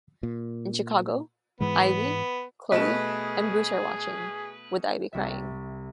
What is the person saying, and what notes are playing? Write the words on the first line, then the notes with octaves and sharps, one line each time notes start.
In Chicago; Ivy, Chloe, and Bruce are watching, with Ivy crying.
A#2
G#2 E3 G#3 B3
B2 A3 G#4 B4 D#5 E7
C2 E5